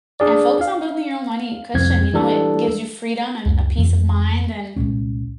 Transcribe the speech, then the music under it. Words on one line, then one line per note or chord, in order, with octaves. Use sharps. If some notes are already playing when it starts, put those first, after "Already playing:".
and focus on building your own money cushion." You know, it gives you freedom, and a peace of mind, and,
D4 G#4 D5
F5
C2 F2 C4 G#6
E3 G3 D4 A4
C#2 F#2
F2 E3 C4
C2 A#2 G#3 C#4